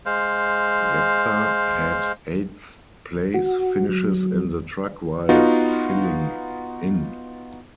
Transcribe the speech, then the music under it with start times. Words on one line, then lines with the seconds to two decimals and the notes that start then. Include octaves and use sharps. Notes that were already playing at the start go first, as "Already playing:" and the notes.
Setzer had eighth-place finishes in the truck while filling in.
0.06 G#3 C5 F5
3.34 F#4
3.89 F#3
5.29 B3 D#4 F4 F#4